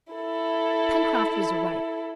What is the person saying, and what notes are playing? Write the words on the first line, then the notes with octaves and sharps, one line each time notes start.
Pencroft was right.
E4 A4